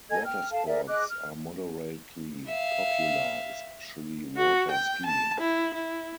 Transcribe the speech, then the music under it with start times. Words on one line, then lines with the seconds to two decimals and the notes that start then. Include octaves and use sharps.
Water sports are moderately popular, especially water skiing.
0.11 A4 D#5 G#5 G#6
0.25 G5 F6
0.51 A4 F5 A5
0.67 G#4 A#4 D5 E5
0.88 G#4 D#5 D6 F#6
1.09 F6
2.47 E5 F5
4.37 F#4
4.71 G5
5.06 A5
5.40 E4
5.74 E4